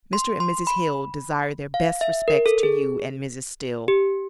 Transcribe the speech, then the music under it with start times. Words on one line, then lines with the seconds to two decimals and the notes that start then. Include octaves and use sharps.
Mr. and Mrs. Hill desire their best respects to you and Mrs. Still.
0.13 C6
0.40 C6
0.67 B5
1.74 F5
2.01 E5
2.28 A#4
2.46 A4
2.63 G#4
3.88 G4